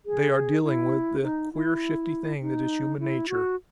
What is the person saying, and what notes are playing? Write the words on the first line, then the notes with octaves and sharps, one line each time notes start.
They are dealing with the queer, shifty thing that is human nature.
G#4
E4
D#4
E4
D#4
E4
F#4